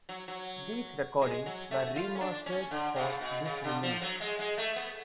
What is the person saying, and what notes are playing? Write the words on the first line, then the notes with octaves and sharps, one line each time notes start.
These recordings were remastered for this release.
F#3
F#3
G#3
F#3
A3
F4
C#4
D4
C#4
D3
C#3
B2
C#3
D3
F3
F#3
G#3
G#3
A3
B3